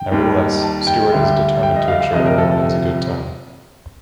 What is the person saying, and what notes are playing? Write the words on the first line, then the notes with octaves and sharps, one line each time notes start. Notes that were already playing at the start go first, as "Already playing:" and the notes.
Nevertheless, Stuart is determined to ensure everyone has a good time.
Already playing: G5
D#2 D#3 G3
A5
G5
D2 D3 G3
G5
D#5
F5
F5
D2 C3 F3 D#5
A#4
A4
A4